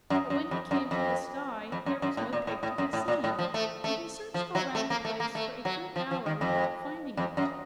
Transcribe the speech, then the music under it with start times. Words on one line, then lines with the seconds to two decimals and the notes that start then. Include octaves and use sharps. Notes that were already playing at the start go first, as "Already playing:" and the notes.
But when he came to the sty there was no pig to be seen, and he searched all round the place for a good hour without finding it.
0.10 F#2
0.30 F#2
0.51 F2
0.71 F#2
0.91 F2
1.72 F2
1.86 F#2
2.02 F#2
2.17 A2
2.33 A#2
2.47 A2
2.63 A2
2.78 F#2
2.93 A2
3.08 A#2
3.24 A2
3.39 F3
3.54 A3
3.84 A3
4.34 F3
4.55 F#3
4.75 A3
4.90 A#3
5.05 A3
5.20 A#3
5.35 A3
5.65 F#3
5.96 F3
6.11 F3
6.26 D#3
6.41 F2
7.17 F2
7.37 F#2